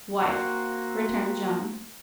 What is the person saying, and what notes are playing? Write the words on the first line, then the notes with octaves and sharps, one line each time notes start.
"Wife," returned John.
A#3 C4 F#4